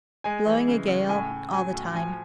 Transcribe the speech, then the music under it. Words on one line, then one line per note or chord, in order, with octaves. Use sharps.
Blowing a gale all the time.
G#3 G#5
E3
C#3
C#3
A2 G#5
A2
F#3 G#5
A2
F3 G#5